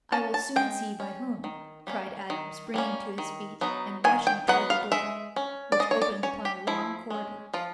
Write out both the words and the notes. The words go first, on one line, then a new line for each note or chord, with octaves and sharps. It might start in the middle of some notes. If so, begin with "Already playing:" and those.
"I will soon see by whom," cried Adam, springing to his feet, and rushing towards the door, which opened upon a long corridor.
C#4 A5
A5
G#3 G5
C#4
D#3
G3 A#3 C#4
D#3
G3 A#3 C#4
D#3
F#3 B3 D#4
D#3 G#5
G5
F#3 B3 D#4 F#5
F5
G#3 E5
C#4
D5
G#3 D#5
C#5
D5
C#4 C#5
G4
F3 E4
G#3 C#4
F3 F4